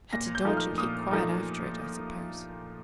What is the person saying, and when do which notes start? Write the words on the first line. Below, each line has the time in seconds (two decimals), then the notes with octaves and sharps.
Had to dodge and keep quiet after it, I suppose.'
0.13 A#2 A#6
0.35 G6
0.45 F3 A3 D#4
0.57 F6
0.78 A#2 D#6
1.11 F3 A3 D#4